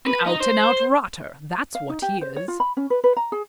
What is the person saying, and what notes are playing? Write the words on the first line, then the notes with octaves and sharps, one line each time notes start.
An out-an'-out rotter, that's what he is.
B4
D#4
C5
F5
D#4
G4
C5
C#5
F4
B5
C#4
B4
B4
A#5
G#4